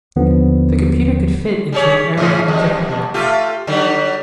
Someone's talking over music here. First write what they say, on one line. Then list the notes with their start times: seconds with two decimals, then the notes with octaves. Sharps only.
The computer could fit into an airline overhead rack.
0.16 D#2 D3 F3 B3
1.72 G3 G#4 C#5
2.18 G#2 C#3 C#4
2.48 E2 G3
3.14 A3 F4 G4
3.67 D3 F#3 G3